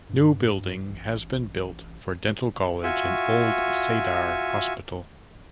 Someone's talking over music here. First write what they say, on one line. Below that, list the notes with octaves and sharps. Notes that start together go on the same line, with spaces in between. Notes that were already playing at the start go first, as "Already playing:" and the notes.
New building has been built for dental college in old Sadar hospital.
G2
A1
F4 F#4 E5 G#5 C#6